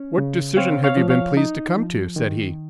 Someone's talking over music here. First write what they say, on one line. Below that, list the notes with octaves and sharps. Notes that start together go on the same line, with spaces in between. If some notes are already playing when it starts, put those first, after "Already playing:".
"What decision have you been pleased to come to?" said he.
Already playing: C#4
C#3
C4 C#5 F5
C#5 F5
F3
C#5 F5
D#4
F3
D#3